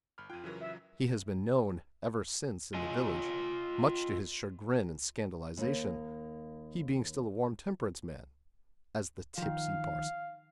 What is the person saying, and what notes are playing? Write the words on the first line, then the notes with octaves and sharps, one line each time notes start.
He has been known, ever since, in the village, much to his chagrin and scandalization, he being still a warm temperance man, as the "tipsy parson."
G1 B5 F6
F2 F4 G5 F#6 G#6 D#7
C#3 E3 F#3 E4 A#4
E5
F4 D#5 G#5
D#2 A#3
D#3 F3 F5